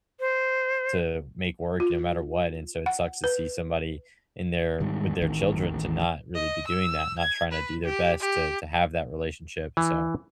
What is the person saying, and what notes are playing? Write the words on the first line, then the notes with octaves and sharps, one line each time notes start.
to make work no matter what, and so it sucks to see somebody in there with their children to not really be doing that, not trying to do their best to to have that relationship, and so
C5
F4
F#5
B4
G#2 D#3 G3
A1 D#3
D#5
E6
G#6
B4
G4
G4
E3